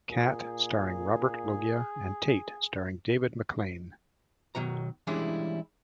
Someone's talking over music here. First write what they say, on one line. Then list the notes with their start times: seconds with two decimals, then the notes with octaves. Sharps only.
Cat, starring Robert Loggia, and Tate starring David McLean.
0.11 A#2 G#4
4.55 B2 D#3 F#3 A#5
5.07 E3 G3 G#3 C#4 D4 E4